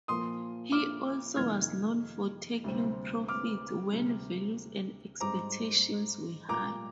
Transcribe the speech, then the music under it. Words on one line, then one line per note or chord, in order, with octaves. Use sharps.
He also was known for taking profits when values and expectations were high.
A#2 F3 A#3 C6 D#6
D6 F6
F2 C3 D#3 A#3 F6 G#6
D2 C3 G3 C4
D6 F6
D2 C3 G3
G#2 G3 C4 A#5 D6
A#2 G3 A#3 A#5 D6